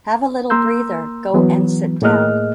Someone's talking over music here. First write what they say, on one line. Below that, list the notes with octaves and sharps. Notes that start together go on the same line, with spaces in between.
Have a little breather, go and sit down.
A#3 A#5 C6 E6 G6
E3 F#3 B3
A2 A#3 G#4 D#5 F6 F#6